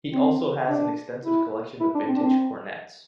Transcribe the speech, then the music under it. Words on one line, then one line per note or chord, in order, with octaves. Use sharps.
He also has an extensive collection of vintage cornets.
C4
D4
E4
E4
D4
C4
D4
C4